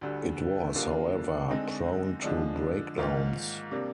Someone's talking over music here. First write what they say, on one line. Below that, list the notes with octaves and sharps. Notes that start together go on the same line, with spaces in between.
It was, however, prone to breakdowns.
D2 D3 G3
D3 G3 A#3 F4
D3 G#3 C4 D#4
D3 F3 G#3 D4
G#2 D#3 A#3 F4
C3 G3 A#3 D4